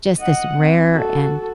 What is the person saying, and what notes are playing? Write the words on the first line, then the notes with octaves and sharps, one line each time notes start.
just this rare and
D#5 F#5
C4
F#4 A4